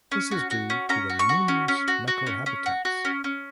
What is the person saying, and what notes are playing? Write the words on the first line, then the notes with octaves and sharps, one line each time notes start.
This is due to the numerous microhabitats.
C#4
F#4
F#4
C#4
C#4 A#5
F#4
C#6
F#4
C#4
C#4
F#4
F#4
C#4
C#4
F#4
F#4
C#4
C#4